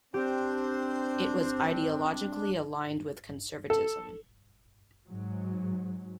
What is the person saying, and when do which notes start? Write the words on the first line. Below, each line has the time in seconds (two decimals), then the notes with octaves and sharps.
It was ideologically aligned with conservatism.
0.14 C4 D4 G4 C5
3.70 A4
5.08 G#2 F#3